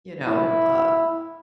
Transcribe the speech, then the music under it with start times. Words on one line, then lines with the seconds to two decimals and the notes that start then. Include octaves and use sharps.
you know, uh
0.26 E4